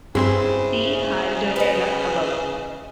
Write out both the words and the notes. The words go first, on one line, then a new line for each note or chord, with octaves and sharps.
See harjoitella above.
G2 C#3 C4 E4 G#4 C5 C6
B4 D#5